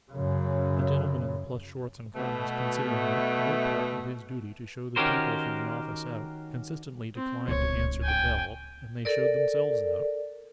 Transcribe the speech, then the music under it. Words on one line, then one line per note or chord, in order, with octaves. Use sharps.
The gentleman in the plush shorts and cottons considering it no part of his duty to show the people from the office out, consistently declined to answer the bell, and they showed themselves out.
F#2 C#3
B2 A3
D#3 C#4 F#4 G4 A#4 C5
C4
D1 C#2 C#5
G5 G#5
A4 A#4 D5